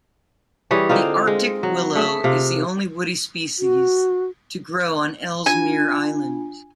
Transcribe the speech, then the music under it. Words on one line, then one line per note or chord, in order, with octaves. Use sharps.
The Arctic willow is the only woody species to grow on Ellesmere Island.
E3 G3 G#4 C#5
D3 C4 D#4 F4
G#3
F#3
A3 G#4 E5
C3 F4
F#4
D4 F4 G#5